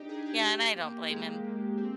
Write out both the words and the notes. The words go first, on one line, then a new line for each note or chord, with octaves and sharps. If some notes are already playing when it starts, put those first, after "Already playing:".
Yeah, and I don't blame him
Already playing: D4 D#4 G4
G#4
G4
G4
A#3
G#3
A#3
C4